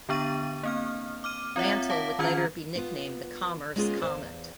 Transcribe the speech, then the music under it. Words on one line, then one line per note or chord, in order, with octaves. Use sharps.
Mantle would later be nicknamed The Commerce Comet.
D3 B3 D4 C#6 A6 D#7
A#3 C4 F6
D6 F6 D#7
C4 F4 C#5 E5 F#5
F5 A5 D6 B6
D#3 C#4 F4 A#5 F6 G#6
B3 F4
G#3 A#3 B3 C#4 F4 G#4
E2 C5 F5